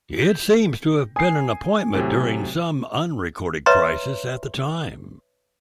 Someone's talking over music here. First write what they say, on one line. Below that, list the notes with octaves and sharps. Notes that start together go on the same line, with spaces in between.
It seems to have been an appointment during some unrecorded crisis at the time.
G6 B6
G#5 D#6 C7
A2 C3 F#3
B4 C#5 D#5 E5 A#5 C6